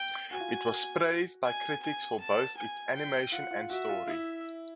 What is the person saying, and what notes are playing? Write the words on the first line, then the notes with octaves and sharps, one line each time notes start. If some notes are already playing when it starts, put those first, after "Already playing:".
It was praised by critics for both its animation and story.
Already playing: G5
F#4 G#5
F4
F#4
G#5
G#5
A5
G#5
G5
F4 F#5
F4
F#4 E5
F4
E4 E5